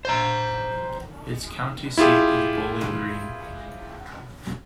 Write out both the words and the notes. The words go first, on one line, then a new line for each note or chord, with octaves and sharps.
Its county seat is Bowling Green.
C5 A#5
E4 F4 G4 G#4